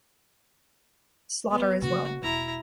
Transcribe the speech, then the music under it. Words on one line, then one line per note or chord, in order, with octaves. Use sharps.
Slaughter as well.
B3
C#3 A#3 F#4
E1 E4 A#5